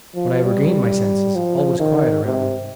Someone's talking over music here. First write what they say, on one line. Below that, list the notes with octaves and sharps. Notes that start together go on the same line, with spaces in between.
When I regained my senses, all was quiet around me.
F3
G3
F3
D#3
C3